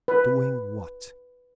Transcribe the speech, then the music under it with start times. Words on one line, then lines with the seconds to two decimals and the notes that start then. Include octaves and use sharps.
"Doing what?"
0.08 B4